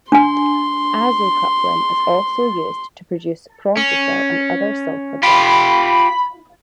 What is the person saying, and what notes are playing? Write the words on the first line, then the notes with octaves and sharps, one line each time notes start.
Azo coupling is also used to produce prontosil and other sulfa drugs.
D4 G#5 C6
C#4
F4 G4 B5